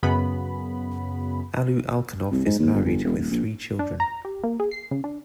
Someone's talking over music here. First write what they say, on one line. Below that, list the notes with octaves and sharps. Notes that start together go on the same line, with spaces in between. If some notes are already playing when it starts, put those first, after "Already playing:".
Alu Alkhanov is married, with three children.
F#2 C#3 B3 B5
C2
G#2
D#2
G1
G1
E1
D#1
A#1
D4
A#5
G4
A#3
G#4
C7
C#3
D4